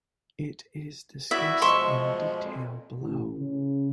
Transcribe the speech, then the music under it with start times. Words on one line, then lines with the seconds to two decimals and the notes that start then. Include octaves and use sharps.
It is discussed in detail below.
1.31 E4 F#4 B4 D5 E5
1.62 B2 F3 G#3 E5 C6 C#6
2.43 F2 A#2
3.00 A1
3.38 C#3